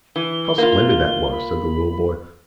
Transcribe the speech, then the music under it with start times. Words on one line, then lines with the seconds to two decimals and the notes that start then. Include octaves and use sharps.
"How splendid that was!" said the little boy.
0.16 E3 G7
0.58 A#3 F4
1.32 B5